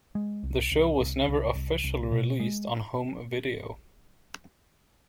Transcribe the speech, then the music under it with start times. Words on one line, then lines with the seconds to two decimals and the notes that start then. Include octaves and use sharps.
The show was never officially released on home video.
0.15 G#3
0.43 C2
0.71 C2
1.00 C2
1.28 C2
1.55 C2
1.84 C2
2.12 B2
2.40 G#3